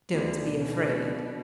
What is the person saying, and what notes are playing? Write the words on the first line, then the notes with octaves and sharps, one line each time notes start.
"Don't be afraid."
D2 D3 B3
B2 D4
C#4
D4